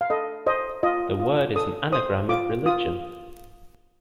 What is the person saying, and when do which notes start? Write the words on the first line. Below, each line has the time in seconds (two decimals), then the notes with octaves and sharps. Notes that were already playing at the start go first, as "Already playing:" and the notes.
The word is an anagram of "religion".
0.01 F5
0.10 A4 D#5
0.47 C5 D#5
0.83 F4 D#5
1.20 F4
1.56 A4 D#6
1.92 C5 D#6
2.29 F4 D6
2.66 F4 D#6